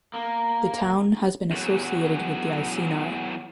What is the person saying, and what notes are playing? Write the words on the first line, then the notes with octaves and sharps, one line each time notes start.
The town has been associated with the Iceni.
A#3
E2 F#3